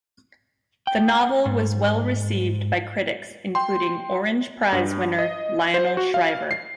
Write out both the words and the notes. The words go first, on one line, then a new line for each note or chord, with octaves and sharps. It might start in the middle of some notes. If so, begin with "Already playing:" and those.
The novel was well received by critics including Orange Prize winner Lionel Shriver.
G5
G#2
G5 C6
G2
D#5
C5
F#4
F5
C7